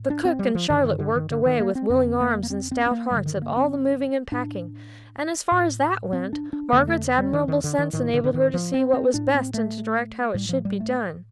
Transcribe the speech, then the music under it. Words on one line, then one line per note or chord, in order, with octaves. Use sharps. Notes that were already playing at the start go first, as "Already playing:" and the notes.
The cook and Charlotte worked away with willing arms and stout hearts at all the moving and packing; and as far as that went, Margaret's admirable sense enabled her to see what was best, and to direct how it should be done.
Already playing: A2
D4
C4
G3
F3
G2 D3 D#3
D#3
D3
D#3
D3
D#3
A#3
C4
F2 D3 C4
A#3
A#3
C4
C4
C4
A#3
G2 D3 G3
D#3
A#3
C4
A2 D4
A2
C4
D4
D4
F2 D3 A#3
A3
G3
D#3
D#3
D3
D#3
A2 D#3
D3
D3
D#3
F3
C4
C4
A2 D4
C4
A3
A2 G3
F3
G3
A3